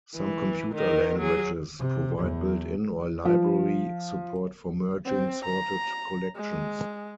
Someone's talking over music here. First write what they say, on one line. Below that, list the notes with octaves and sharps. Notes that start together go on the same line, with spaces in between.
Some computer languages provide built-in or library support for merging sorted collections.
E3
D#3 A#4
F#3 G#4
C3
E2
F3
C4
A#5
G#3